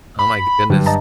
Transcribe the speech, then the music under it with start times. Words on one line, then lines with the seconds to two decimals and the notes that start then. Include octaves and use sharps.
Oh my goodness.
0.19 B5
0.70 G2 D3 F#3
0.86 D#5 A5 A#5